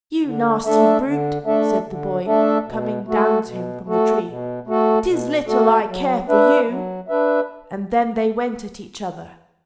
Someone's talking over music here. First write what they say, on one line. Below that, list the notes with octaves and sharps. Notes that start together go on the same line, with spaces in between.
"You nasty brute," said the cowboy, coming down to him from the tree, "'tis little I care for you;" and then they went at each other.
D3
A3 D4 A4 E5
D3
A3 D4 A4 E5
D3
A3 D4 A4 E5
B2
A3 F#4 A4
B2
A3 F#4 A4
B2
A3 F#4 A4
B2
A3 F#4 A4
F#3
D4 B4 E5
F#3
D4 B4 E5